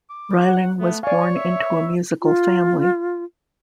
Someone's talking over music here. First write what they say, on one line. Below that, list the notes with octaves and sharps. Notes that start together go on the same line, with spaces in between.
Rilling was born into a musical family.
D6
F#5
A3 B3
C#5 D5 F5 G#5
E5
B5
F4